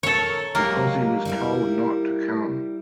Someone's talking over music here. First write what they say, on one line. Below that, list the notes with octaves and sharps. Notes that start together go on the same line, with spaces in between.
Because he was told not to come.
A4 A#4 C#5
F#3 G#3 A#3 G4
G3 E4 A#4